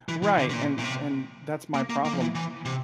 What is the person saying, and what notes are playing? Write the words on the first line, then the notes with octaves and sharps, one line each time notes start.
Right, and and that's my problem.
E3
E3
D3
C3
A#2
A#2
C3
A#3
A#3
A#3
F3
E3
E3
C3